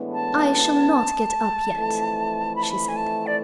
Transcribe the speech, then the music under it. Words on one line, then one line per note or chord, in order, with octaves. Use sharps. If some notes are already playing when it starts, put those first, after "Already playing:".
"I shall not get up yet," she said.
Already playing: A2 E3 G#3 B3 D4
A5
F2 E3 A3
B5
A5
B5
G#5
A5
D5